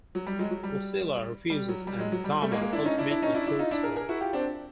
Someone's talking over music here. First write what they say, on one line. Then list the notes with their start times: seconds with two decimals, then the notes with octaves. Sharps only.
Lucilla refuses, and Dama ultimately kills her.
0.15 F#3
0.27 G3
0.39 F#3 G#3
0.51 F#3
0.63 G3
1.50 G3
1.69 F#3
1.87 G3
1.99 F#3 G#3
2.12 F#3
2.24 G3
2.42 G3 A3
2.51 G#3 A#3
2.61 G#3 A#3
2.72 D4 E4
2.85 C#4 D#4
2.98 D4 E4
3.10 D4 E4
3.22 C#4 D#4
3.34 D4 E4
3.46 D4 E4
3.59 D#4 F4
3.71 D4 E4
3.83 G#4 A#4
3.96 G#4 A#4
4.09 E4 F#4
4.21 F4 G4
4.33 C4 D4